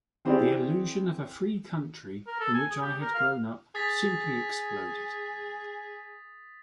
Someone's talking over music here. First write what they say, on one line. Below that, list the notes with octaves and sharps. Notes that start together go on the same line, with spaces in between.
The illusion of a 'free country' in which I had grown up simply exploded.
E3 C4 E4 G4 G#4 D5
A#4
A4
G#5
G#4
G4
A#4
F5
G#4 D#6 A6 B6